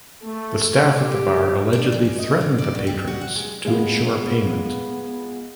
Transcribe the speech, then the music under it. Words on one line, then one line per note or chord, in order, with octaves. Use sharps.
The staff at the bar allegedly threatened the patrons to ensure payment.
A3
G4
D4
F2
C#3
D#5
D3
D5
B2
G3
F#4
F#5
G#3
G#3 B3 F4